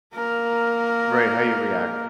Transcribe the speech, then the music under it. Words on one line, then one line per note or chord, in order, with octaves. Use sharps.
Right, how you react?
A#3 A#4